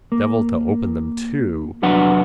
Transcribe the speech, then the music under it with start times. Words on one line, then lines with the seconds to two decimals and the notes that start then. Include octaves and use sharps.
Devil to open them too.
0.12 A#3
1.82 C2 F2 F#3 D4 B4 F#5